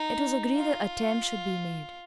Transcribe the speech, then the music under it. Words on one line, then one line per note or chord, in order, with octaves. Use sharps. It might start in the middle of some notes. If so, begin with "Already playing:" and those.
It was agreed the attempt should be made.
Already playing: D#4
F4